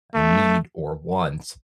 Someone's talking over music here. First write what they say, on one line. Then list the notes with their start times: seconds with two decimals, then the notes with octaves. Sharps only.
I need or want,
0.14 A3